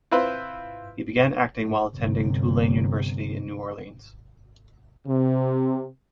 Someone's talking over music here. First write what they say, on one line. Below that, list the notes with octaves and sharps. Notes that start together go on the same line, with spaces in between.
He began acting while attending Tulane University in New Orleans.
C4 E4 F4 B4 C5
G1 C3
C3